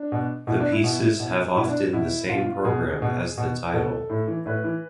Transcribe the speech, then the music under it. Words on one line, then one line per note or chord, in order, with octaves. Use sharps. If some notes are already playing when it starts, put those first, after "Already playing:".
The pieces have often the same program as the title.
Already playing: D4
B2
B2 E4
D4
E4
B2
B2
B2 E4
D4
B2 E4
B2 F4
F4
B2 G#4
B2
B2
B2 A4
A2
E3
A2 B4
E3